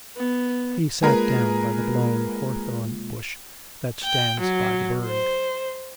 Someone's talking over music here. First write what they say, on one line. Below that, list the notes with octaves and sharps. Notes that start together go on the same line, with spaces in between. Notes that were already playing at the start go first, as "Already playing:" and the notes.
He sat down by the blown hawthorn bush that stands by the burgh.
B3
G#3 A#3 F4 G#4 A#4 B4
G5
F#3
C5